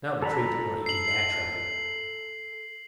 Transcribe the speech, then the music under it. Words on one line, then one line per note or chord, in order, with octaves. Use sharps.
Now the Tree did not even dare tremble.
A4 A#5 B5
C7 F#7